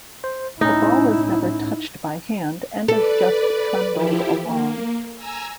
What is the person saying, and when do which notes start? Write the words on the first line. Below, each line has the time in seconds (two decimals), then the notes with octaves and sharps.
The ball is never touched by hand and is just trundled along.
0.24 C5
0.61 A2 C#4 D#4 E4
2.88 A4 B4 D5
3.90 F3 E4 G4
4.41 A#3
5.16 G#5 A#5 E6